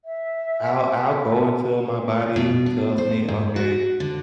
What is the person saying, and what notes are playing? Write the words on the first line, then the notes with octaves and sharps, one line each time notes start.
I'll I'll go until my body tells me, "Okay,
E5
B2
D4
C5
G#2
F#4
D3